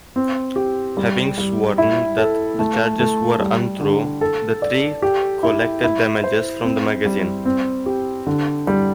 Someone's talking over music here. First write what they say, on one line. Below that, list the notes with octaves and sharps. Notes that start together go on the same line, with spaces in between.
Having sworn that the charges were untrue, the three collected damages from the magazine.
C4
G4
G3
G3
E4
A4
A3
A3
G3
D3
A4
D5
G4
E4
E4
C5
C4
G3
C4
G4
D3
G3